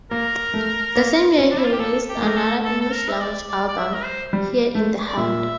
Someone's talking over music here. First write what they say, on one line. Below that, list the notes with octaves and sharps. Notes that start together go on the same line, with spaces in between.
The same year he released another English-language album, "Here in the heart".
A#3 A#4
A3
A#3
C4
D4
E4
F4
G4
A#3 A4
G4
A#3
A3 A#4
A4
A4
A4
A#4
E5
D5
D5
D5
E5
A#4
C5
G3
A3
D5
A#2 E5